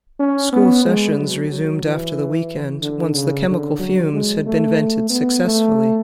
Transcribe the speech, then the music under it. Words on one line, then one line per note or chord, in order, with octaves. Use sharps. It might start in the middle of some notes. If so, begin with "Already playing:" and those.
School sessions resumed after the weekend once the chemical fumes had been vented successfully.
C#4
B3
G#3
F#3
F#3
E3
D3
C#3
D3
F#3
G#3
A3
B3
A3